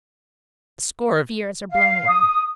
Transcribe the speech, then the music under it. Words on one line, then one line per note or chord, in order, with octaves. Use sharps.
A score of years are blown away.
F5
D#6